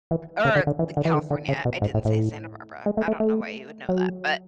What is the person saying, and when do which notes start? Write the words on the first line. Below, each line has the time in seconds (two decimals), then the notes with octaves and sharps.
or C California, I didn't say Santa Barbara, I don't know why you would know that, but
0.11 E3
0.45 C#3
0.56 D3
0.67 D3
0.79 E3
0.97 D3
1.05 E3
1.14 D3
1.30 D3
1.48 C#3
1.65 B2
1.82 G#2
1.94 A2
2.05 A2
2.86 G#3
2.97 A3
3.08 A3
3.20 A3
3.89 F#3